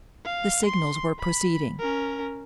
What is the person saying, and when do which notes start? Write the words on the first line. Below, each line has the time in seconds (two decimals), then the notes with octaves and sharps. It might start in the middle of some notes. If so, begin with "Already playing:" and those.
The signals were proceeding.
0.25 F5
0.66 C6
1.19 B5
1.79 C#4 A#4